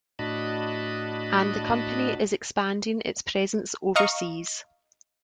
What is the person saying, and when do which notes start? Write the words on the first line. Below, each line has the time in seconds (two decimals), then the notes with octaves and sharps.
And the company is expanding its presence overseas.
0.19 A2 D4 F#4 D#5 A5 B5
3.96 D#5 F5 A#5 C#6